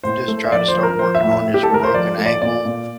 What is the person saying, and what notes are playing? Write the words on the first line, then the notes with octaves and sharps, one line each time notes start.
just try to start working on this broken ankle
A2 C5
A3
E5
F3 D5
C5
F3
A#4
F3 C5
E5
A2
E5
A2
G4
A4
A3 A#4
C5
F3 D5
A3
D5
A#2 D5
A#2